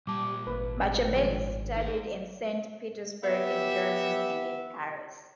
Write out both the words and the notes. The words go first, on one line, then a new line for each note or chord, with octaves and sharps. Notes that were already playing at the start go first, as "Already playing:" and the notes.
Machabeli studied in Saint Petersburg, in Germany, and in Paris.
A#2 G3 A5 D6
G#1 A#3 B4
F3 G#3
D#4 G#4
B3 G4 E5